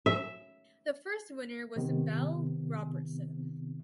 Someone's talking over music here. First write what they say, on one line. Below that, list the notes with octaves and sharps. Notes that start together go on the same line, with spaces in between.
The first winner was Belle Robertson.
E5
C3 D#3 B3 C4